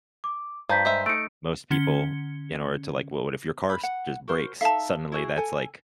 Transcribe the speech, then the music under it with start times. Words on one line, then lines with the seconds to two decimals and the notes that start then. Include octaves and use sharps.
Most people, in order to, like Well, what if your car s just breaks? Suddenly, that's, like
0.24 D6
0.69 G2 F3 A#5 G6 B6
0.85 G#3 C5 E5
1.06 A3 D#4 C#7 D7
1.71 D3 C#4 G#6 C#7 G7
3.69 B5
3.83 F#5
4.28 F#4 A#4 C5
4.61 D#4 A4 E5 F5 A5
5.12 E4 F#4 G#4
5.37 A4 G#5